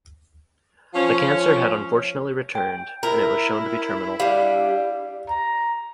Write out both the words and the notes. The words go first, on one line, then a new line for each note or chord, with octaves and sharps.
The cancer had unfortunately returned and it was shown to be terminal.
F3 C#4
G5
E4 A#4
G3 D4 F5
A#5